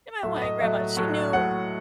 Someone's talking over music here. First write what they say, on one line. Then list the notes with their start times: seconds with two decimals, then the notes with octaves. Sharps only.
and my Hawaiian grandma, she knew
0.23 A2 F#3 A3 E5
0.42 D#5
0.60 A2 F#3 A3 E5
0.97 A2 F#3 A3
1.33 A2 F#3 A3 F#5